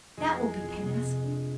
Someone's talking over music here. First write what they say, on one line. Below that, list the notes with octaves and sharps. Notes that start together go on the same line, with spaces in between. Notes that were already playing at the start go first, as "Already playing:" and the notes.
THAT will be penance.
F2 G#3
E3
F2
C3
C3
D4